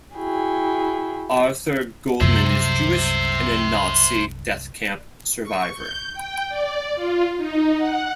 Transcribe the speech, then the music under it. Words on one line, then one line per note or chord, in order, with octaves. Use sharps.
Arthur Goldman is Jewish and a Nazi death camp survivor.
E4 F#4 G#4 G5
C2 F#2 C5 E5
C#6
G6
G5
D5
F4
D#4
F#5